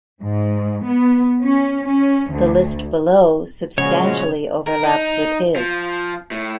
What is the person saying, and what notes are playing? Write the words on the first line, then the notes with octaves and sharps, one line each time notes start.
The list below substantially overlaps with his.
G#2
B3
C#4
C#4
D2
A#2 C#3 F3 G#3 C#4 F#4 C#5
A#4
D#4
F3
A2